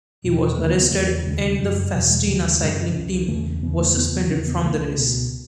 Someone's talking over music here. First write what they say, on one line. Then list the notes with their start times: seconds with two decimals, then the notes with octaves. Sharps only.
He was arrested and the Festina cycling team was suspended from the race.
0.24 E2 B2
0.58 D#2 C#3 A3
0.69 B3
0.80 B3
0.91 E2 C#3 A3
1.26 D#2 C#3 G#3
1.49 G#3
1.60 F#2 C#3 F#3
1.93 E2 B2 F#3
2.10 G#3
2.27 D#2 C#3 G#3
2.61 F#2 C#3 G#3
2.95 C#2 C#3
3.28 E2 C#3 A3
3.63 E2 B3
3.66 C#3
3.80 A3
3.97 E2 C#3 B3
4.30 E2 C#4
4.34 C#3
4.47 B3
4.64 C#2 C#3 A3
4.98 C#2 B2